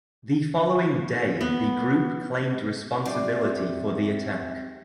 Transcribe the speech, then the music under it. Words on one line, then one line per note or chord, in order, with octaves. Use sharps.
The following day the group claimed responsibility for the attack.
B3
C3 C5 D5